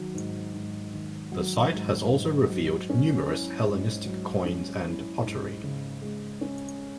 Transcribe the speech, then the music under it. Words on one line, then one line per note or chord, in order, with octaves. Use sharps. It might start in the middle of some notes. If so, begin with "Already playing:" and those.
The site has also revealed numerous Hellenistic coins and pottery.
Already playing: D#3 F#3
G#2
G#2
D#3
F#3
G#2
G#2
F#3
C#4
E4
G#2
F#3
C#4
E4
G#2
C#3
G#3
C#4